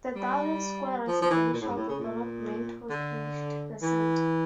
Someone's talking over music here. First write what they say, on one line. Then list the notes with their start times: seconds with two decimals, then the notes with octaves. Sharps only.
The Darling Square residential development replaced the Centre.
0.16 G3
1.07 F3
1.22 F3
1.30 E3
1.53 A#2
1.61 A2
1.68 G2
1.76 A2
1.88 C#3
1.99 A#2
2.89 D3
3.82 E3